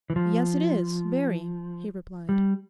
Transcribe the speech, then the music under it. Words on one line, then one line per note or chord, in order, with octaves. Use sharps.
'Yes, it is, very,' he replied.
E3
F3
G3